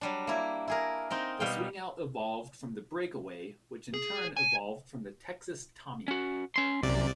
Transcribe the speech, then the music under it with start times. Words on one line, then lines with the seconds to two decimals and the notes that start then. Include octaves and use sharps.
The swingout evolved from the breakaway, which in turn evolved from the Texas Tommy.
0.01 F#3 G3 D4
0.27 A#3 E4
0.68 E4 G#4 A#4
1.10 C4 D#4 A#4
1.40 B2 G3 F5 G5
3.94 G#4
4.37 G#5
6.08 C#4 F#4
6.56 C#4 C6
6.83 C2 F#2 C3 D5